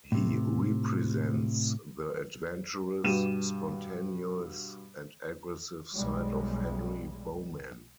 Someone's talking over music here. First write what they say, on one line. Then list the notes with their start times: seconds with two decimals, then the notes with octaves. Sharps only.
He represents the adventurous, spontaneous and aggressive side of Henry Bowman.
0.12 A2 C3
3.04 G2 B2 G4 D#7 E7
5.95 B1 G3 G#3